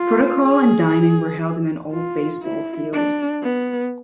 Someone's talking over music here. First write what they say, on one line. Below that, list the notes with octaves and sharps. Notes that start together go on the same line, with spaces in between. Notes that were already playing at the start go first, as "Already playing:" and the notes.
Protocol and Dining were held in an old baseball field.
Already playing: F4
G#4
F4
E4
D4
B3